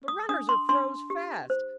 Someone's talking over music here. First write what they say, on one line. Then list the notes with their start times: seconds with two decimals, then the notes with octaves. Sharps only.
The runners are froze fast.
0.08 D#6
0.29 D4 D#6
0.49 C6
0.69 D4 C6
1.10 G4
1.50 C5